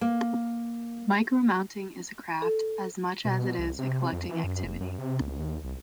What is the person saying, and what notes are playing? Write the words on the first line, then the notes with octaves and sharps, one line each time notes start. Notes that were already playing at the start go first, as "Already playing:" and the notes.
Micromounting is a craft, as much as it is a collecting activity.
A#3
A4
B2
C2
C3
F2
E3
F#2
F1
F#2
C3
C#2
D#2
C2